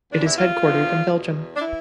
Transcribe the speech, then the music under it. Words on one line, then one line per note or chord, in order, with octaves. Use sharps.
It is headquartered in Belgium.
E2 C3 E3 D4
E4
F4
E2 D3 F3
E2 B2
D4
E3 E4